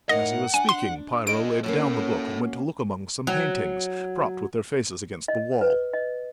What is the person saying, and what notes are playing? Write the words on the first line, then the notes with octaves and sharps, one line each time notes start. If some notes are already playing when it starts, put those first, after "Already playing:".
As he was speaking, Piero laid down the book and went to look among some paintings, propped with their faces against the wall.
A2 D#4 A#4 D#5 F#5
D4 G#5
C6
A4 D#5 D7
A#3 C#4 F#4 A4 C#5
F#3
D#5
B4
D#5